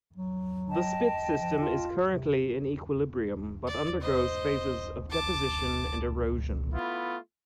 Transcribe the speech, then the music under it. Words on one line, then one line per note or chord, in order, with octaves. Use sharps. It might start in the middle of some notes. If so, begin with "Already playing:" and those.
This spit system is currently in equilibrium but undergoes phases of deposition and erosion.
F#3
D#5 G5 A5
F3
F4
C3
D5
C5 D#5
A5 D6
A3 B3 E4 F4